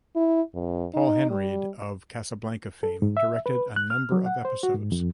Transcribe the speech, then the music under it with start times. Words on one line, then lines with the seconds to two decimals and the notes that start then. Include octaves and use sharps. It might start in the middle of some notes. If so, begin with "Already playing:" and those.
Paul Henreid, of "Casablanca" fame, directed a number of episodes.
0.16 E4
0.54 F2
0.94 D#4
1.30 G3
2.83 A4
3.02 G#2
3.17 E5
3.46 B4
3.76 F#6
3.90 F6
4.12 F#3
4.26 F#5
4.45 C5
4.63 F#4
4.75 G#2
4.92 F2